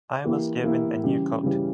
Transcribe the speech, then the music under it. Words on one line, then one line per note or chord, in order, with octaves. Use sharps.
I was given a new coat.
E3 A#3 E4 G4
E3 A#3 E4 G4
C#3 E3 G3 C#4 G4
C#3 E3 G3 C#4 G4